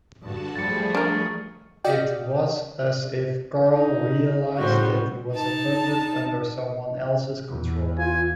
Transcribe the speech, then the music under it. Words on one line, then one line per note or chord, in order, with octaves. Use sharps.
It was as if Carl realised that he was a puppet under someone else's control.
G2 D3 F#4 A5
F3 G3 A3 G#4 A6 C#7
D4 A#4 C#6 F6
F#4 D5 D#5 F5 G5
D#4
A2 C#3 G3 F#4 C5
D#4 A5
E2
F4 G#5